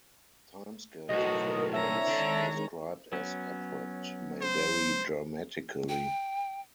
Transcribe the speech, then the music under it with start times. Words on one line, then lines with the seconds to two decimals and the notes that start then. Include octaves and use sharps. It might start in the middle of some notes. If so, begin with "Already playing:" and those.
Timescales of events described as 'abrupt' may vary dramatically.
1.09 B1 A2 F#4 A#4 D#5
1.73 C4 D4 E4 C#5 E5 A#5
2.07 D3 D#3 G#3 D4
3.13 F#3 B3 C#4
4.42 C5
5.89 G5